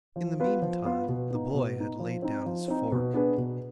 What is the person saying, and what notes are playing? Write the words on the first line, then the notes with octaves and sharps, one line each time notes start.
In the meantime the boy had laid down his fork.
F3
B3 F4 B4
F3
B3 F4 B4
B2
B3 D#4
B2
B3 D#4
F3
C4 D#4
F3
C4 D#4
B2
B3 D4 G#4 B4
B2